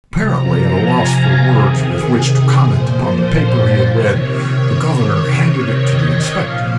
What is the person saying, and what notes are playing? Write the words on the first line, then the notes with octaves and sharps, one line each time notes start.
Apparently at a loss for words with which to comment upon the paper he had read, the governor handed it to the inspector.
C3 F3 A#5
G#5
F5
C3 D#3 G#4
A#2 F3 C5
C3 D#3 C#5
C#5
C3 D#3
D#5
A#2 F3 F5